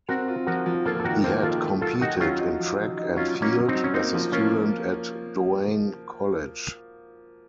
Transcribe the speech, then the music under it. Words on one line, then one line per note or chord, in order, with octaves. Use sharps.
He had competed in track and field as a student at Doane College.
C4 F#4 A#4
F4
F3 F#4 A#4
F3
A#3 F4 A4
A4
D#3 F#4 A#4
A#3 A4 C5
D#3 F4 A4
A3
F#3 F4 A4
D#3 D#4 F#4
F#3 C#4 F4
D#4
F3
F3
D#4
F#3 C#4 F4
F#3
A#3 C#4
F#3
C4 D#4
F#3
C#4
A#3 C4 D#4
F3
A#3 C#4 F4